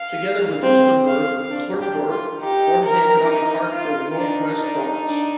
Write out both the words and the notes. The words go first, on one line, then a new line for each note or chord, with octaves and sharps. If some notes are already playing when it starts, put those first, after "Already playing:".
Together with Rustenburg, Klerksdorp forms the economic heart of North West Province.
Already playing: F5
C4
F5
D4
G4
F4
D#4 G4
A#4
D#4
F4
D4 D#4
D4
D4